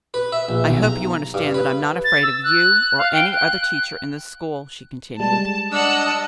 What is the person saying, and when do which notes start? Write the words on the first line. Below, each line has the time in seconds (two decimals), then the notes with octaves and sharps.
"I hope you understand that I am not afraid of you or any other teacher in this school," she continued.
0.14 B4
0.32 E5
0.49 A#1
0.67 B1
0.83 A#5
1.34 G2
1.54 B4
2.04 A6
2.23 E6
2.44 F#6
2.98 F5
3.13 G5
3.32 F#6
5.20 G3 G#3 A5
5.72 D4 D#5 F#5 A5 E6